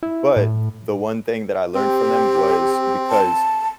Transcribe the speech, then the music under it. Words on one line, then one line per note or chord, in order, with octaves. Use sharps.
But the one thing that I learned from them was because
E4
A2
C4 G4
A5